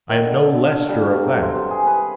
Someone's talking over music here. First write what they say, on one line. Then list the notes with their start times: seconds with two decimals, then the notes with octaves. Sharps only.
I am no less sure of that.
0.09 D#3
0.24 D3
0.46 A4
0.67 F5
0.88 G3
1.11 B2
1.23 F#3
1.42 C5
1.55 C3
1.70 G#4
1.86 B4